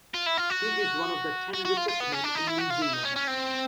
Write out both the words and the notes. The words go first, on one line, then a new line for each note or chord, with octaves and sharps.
He is one of the ten richest men in New Zealand.
F4
E4
F4
F#4
F#4
F#4
F4
F4
B3
C#4
D4
D#4
E4
F#4
F4
E4
D#4
C#4
C#4
C4